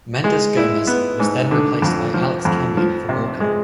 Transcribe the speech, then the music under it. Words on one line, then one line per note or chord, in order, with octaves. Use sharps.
Mendes Gomes was then replaced by Alex Kenyon for Morecambe.
G#3
E4
B3
G#2
D3
F2
F3
F2
F3
C3
G#3